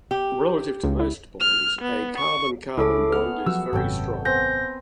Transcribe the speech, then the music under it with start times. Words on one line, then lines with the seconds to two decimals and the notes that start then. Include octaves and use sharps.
Relative to most bonds, a carbon-carbon bond is very strong.
0.11 G4
0.84 C#2
1.00 E4
1.40 F6
1.81 B3
2.18 C#6
2.77 C#2 A3 C#4 E4 G#4 A4 D6
3.12 B3 F#5 F6
3.46 F3 F#3 F#4 E6
3.73 G#1 F#2 C3 A4 C#5 G5
4.25 B3 C4 G#5 G6 A#6